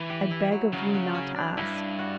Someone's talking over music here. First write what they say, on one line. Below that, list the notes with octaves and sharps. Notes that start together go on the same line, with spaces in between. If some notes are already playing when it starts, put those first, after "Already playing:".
I beg of you not to ask.
Already playing: E3
G4
E4
F#3
C#3 F#3
F#3
C#4
D4
G2 E4
F#4